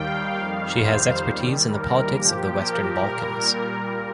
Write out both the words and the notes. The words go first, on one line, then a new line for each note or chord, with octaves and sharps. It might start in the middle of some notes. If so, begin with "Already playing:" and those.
She has expertise in the politics of the Western Balkans.
Already playing: D#2 D#3 G3 F5 G5
F2 D#3 G3 F5
C5
D#2 D#3 G3
A#4
A#2 F3 G4
A#4
A#2 G3 A#4